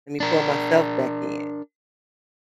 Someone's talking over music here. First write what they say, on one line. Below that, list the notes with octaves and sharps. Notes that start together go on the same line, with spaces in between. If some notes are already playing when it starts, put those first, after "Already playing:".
let me pull myself back in."
D4 A#4